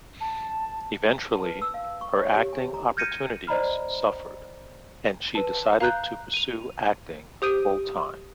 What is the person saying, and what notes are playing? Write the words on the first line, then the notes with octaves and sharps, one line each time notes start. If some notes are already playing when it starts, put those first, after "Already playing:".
Eventually, her acting opportunities suffered and she decided to pursue acting full-time.
A5
A5
B4
E6
F5
C#6
C#5
G4
G#5
A#5
F6 G6 G#6 A#6 C#7 D#7
C5 D5 D#5 A#5 B5 F6
B4 A5
F5 A#5 F#6 G6
D#7 F7
G4 C5 D#6 G6 D7 D#7